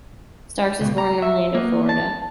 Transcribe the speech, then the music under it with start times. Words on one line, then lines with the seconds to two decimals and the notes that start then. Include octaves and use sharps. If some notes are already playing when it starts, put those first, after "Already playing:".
Starks was born in Orlando, Florida.
0.81 C#2 B2
0.98 A#5
1.22 E5
1.55 A#3 B3
1.89 A5